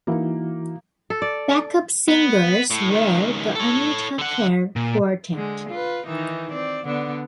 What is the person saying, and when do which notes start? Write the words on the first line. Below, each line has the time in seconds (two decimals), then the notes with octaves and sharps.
Backup singers were the Anita Kerr Quartet.
0.07 E3 A#3 D#4 E4 F#4
1.10 A4
1.22 D5
2.08 B3
2.71 A2
2.91 C#2 D#3
3.55 A4 C#5
4.19 D3 F#5
4.76 A#2
5.33 D3 G#3
5.69 F4 B4
6.07 D#3 E3 D#4
6.51 C4 D5
6.85 D3 B3 D4